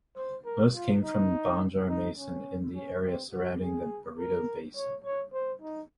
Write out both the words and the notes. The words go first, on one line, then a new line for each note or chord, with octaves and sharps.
Most came from Banjarmasin in the area surrounding the Barito basin.
C5
A#4
F4
D#4
D#4
C#4
C#4
C4
F#4
G#4
A#4
C#5
C#5
C5
D#4